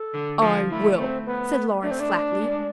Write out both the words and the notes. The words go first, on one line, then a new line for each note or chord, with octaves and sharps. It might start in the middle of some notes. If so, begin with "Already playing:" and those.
"I will," said Lawrence flatly.
Already playing: A4
D3
F3
A3 E4
C4
B3
A3 D4
C4
D4
G#3